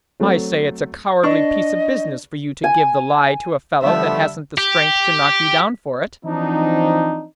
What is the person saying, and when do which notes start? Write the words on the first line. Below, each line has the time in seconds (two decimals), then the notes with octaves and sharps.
"I say it's a cowardly piece of business for you to give the lie to a fellow that hasn't the strength to knock you down for it."
0.20 F#3 A3 C4
1.24 D4 B4 D#5 C#6
2.64 G#5
3.82 D3 F3 G3 A3 B3 E5
4.58 G4
6.25 E3 F3 C4 D4 D#4